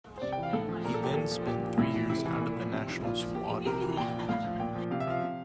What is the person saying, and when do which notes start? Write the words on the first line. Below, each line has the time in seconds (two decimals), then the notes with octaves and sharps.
He then spent three years out of the national squad.
0.18 C5
0.22 C3 D5
0.32 G5
0.38 E3
0.43 F5
0.53 A2 A4
0.69 F3
0.84 A#2 A#4
0.94 A4
1.00 F3 G4
1.14 A#2 A4
1.31 F3
1.47 A#2 G4
1.63 F3
1.78 A2 E4
1.94 E3
2.10 C3 E4
2.26 E3
2.41 A#2
2.56 F3
2.72 C3
2.88 F3
3.04 A#2 F4
3.19 F3
3.34 A#2 G4
3.50 F3
3.66 C3 A#4
3.82 E3
3.97 A#2 G5
4.13 F3
4.29 A2 F5
4.44 F3
4.60 A#2 G5
4.75 F3
4.91 C3 F5
5.00 E5
5.07 F3 F5
5.23 C3